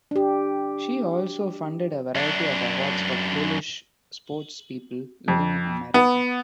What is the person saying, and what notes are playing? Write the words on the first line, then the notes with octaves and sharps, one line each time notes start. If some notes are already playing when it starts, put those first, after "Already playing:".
She also funded a variety of awards for Polish sports people living in America.
D4 G4
F#2 D4
F2
B3